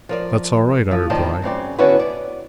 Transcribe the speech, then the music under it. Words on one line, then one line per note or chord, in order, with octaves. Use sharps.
"That's all right," I replied.
F3 A#4 D5
F3
D#3 F3 C4 D5 D#5 A5
F#2 C#3 C4 D5
D3 B3 C#4 E4 F#4 B4
D5